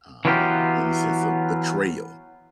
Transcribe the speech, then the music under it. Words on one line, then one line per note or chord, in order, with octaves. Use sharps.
um, in a sense of betrayal,
E3 F#3 B3 F4 G4